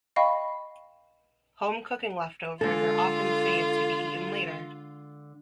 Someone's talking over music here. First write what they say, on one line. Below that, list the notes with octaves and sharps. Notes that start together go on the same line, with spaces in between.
Home cooking leftovers are often saved to be eaten later.
D#5 F5 G5 B5 C#6
D3 G#3 F4 A4